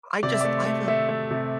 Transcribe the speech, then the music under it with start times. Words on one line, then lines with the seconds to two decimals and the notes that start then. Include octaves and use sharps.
I just I have a
0.23 C3 D5
0.32 E5
0.41 A3 D5
0.66 A3
0.88 A3 E5
1.09 A3
1.31 C3